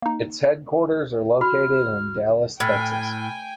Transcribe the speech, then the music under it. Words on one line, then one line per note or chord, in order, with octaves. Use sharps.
Its headquarters are located in Dallas, Texas.
A#3 D#4
F#4 B5 F6
A2 G5 G#5 B5 F6 A6